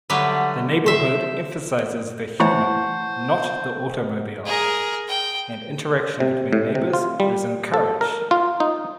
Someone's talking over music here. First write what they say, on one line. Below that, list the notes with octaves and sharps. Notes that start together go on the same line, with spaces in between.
The neighborhood emphasizes the human, not the automobile, and interaction between neighbors is encouraged.
D3 F#3 G3 A3 D4 B4
C5 E5
E3 A3 E4 C5 C#5 F#5 A5 C#6
G#4 A#4
G5
C3
A2
C3
F4
G3
A4
A#4
F4
D#4